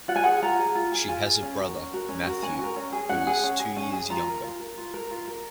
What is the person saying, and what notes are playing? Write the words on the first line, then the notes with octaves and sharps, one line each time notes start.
She has a brother, Matthew, who is two years younger.
F4 F#5
G#5
G#4 F#5
F4 A#5
G#4
F4
G#4
F4 G#5
G#4
C#4
F#4 A#4
C#4
F#4 A#4
C#4
F#4 A#4
C#4 G#5
F#4 A#4
C#4
G#4
C#4 F#5
G#4
C#4
G#4
C#4 G#5
G#4
F4 A#5
A#4
F4
A#4
F4
A#4
F4
A#4